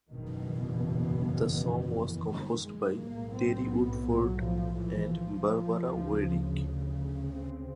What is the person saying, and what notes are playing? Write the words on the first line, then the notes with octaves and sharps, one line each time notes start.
The song was composed by Terry Woodford and Barbara Wyrick.
F#1 E2 B2 D#3
E3
F3
E3
D#3
G#3
B1 A2 A#3
C4
B3
F#3
F3
E3
F3
D2 C#3
C4